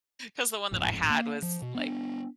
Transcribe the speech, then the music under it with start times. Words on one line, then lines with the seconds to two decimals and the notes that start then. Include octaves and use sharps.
'cause the one that I had was, like,
0.71 D#1 G#1 F2 A2
1.09 A#3
1.42 F3
1.62 B2
1.75 B3 C4 D4